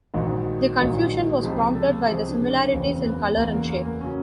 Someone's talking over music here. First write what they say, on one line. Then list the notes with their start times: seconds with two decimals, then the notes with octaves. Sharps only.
The confusion was prompted by the similarities in colour and shape.
0.14 A#1 G#2 D#3 F#3 F#4
0.78 A#1 G#2 D#3 F#3
1.42 C#2 C3 F3 G#4
1.75 A4
2.07 C#2 C3 F3 G#4
2.29 D4
2.50 C#4
2.72 F#1 E2 C#3 C4
3.04 B3
3.37 F#1 E2 C#3 A#3
3.53 A#3
3.70 A#3
3.85 A#3
4.01 C#3 F#3 C#4